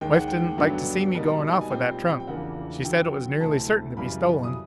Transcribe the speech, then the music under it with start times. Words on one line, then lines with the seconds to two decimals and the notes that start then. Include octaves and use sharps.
"Wife didn't like to see me going off with that trunk--she said it was nearly certain to be stolen."
0.01 D#2 D#3 G#3 G5
0.15 F#5
0.28 G5
0.58 G2 D3 F#3 B3 D4
1.15 B2 G3 A#3 D#4
1.61 G#5
1.70 A#2 G3 C4 G5
2.20 G5
2.27 E2 C#3 F3 A#3 D4 F#5
2.84 F2 D3 F#3 G5
3.40 D2 C3 E3 A3 C4 A5
3.97 F#2 C#3 E3 G3 B5
4.43 D#6